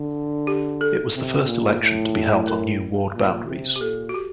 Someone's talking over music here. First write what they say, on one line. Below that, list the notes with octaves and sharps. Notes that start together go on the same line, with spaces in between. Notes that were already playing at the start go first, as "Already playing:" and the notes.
It was the first election to be held on new ward boundaries.
Already playing: D3
G4
A4
C3
A#2
A2
A#4
A#2
C3
G4
A#2 A4
F#4
G4